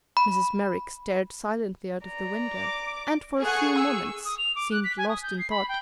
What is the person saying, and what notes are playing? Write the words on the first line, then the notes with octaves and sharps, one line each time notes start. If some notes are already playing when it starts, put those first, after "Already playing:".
Mrs. Merrick stared silently out of the window, and for a few moments seemed lost in thought.
B5
D5 A#5
D6
G#4 A4 F#5 C#6
E6
D#6
F7
D6
F#6
B6
G#5
D#6
G6
C7
B5
G5